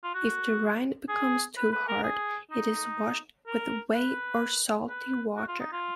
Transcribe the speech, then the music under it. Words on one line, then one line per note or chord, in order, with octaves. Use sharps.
If the rind becomes too hard, it is washed with whey or salty water.
F4
F#4
G#4
B4
B4
A#4
G#4
D#4
A#4
B4
B4
F#4
F4
D#4
F4